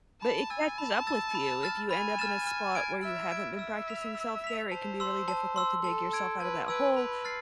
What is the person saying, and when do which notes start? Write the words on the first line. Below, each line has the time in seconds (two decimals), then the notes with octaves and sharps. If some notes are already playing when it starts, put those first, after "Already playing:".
but it catches up with you. If you end up in a spot where you haven't been practicing self-care, it can be really difficult to dig yourself out of that hole
0.22 A5 B5
0.50 G#5 E6 A6 E7
0.78 A5 B5
1.07 E6 A6 E7
1.35 B5
1.63 F6 A6 E7
1.91 G#5 B5
2.19 F6 A6 E7
2.47 F6
2.75 G#6 D7
3.03 E5 F6
3.31 G#6 D7
3.59 E5 E6
3.88 B6 F7
4.15 E6
4.44 B6 F7
4.72 C5 A5
5.00 C6 E6
5.28 A5
5.56 C6 E6
5.84 A4 A5
6.12 E6 G#6 D7
6.40 B4 A5
6.68 B4 E6 G#6 D7
6.96 B4 B5
7.25 F6 A6 C7